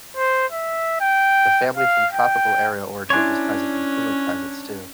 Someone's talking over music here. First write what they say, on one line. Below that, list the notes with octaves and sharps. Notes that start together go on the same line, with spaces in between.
The family from tropical area origin is present in cooler climates, too.
C5
E5
G5
F5
G5
C#4 D4 E4 C#5 G#5 C6